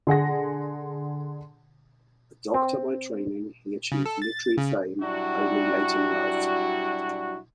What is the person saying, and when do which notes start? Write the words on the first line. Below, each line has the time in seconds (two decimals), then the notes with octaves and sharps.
A doctor by training, he achieved literary fame only late in life.
0.07 D3 G#4 F#5 A#6
2.54 C4
3.92 C#3
4.06 A4
4.22 A6
4.58 C#3
5.02 F#3 G3 D4 E4 F#4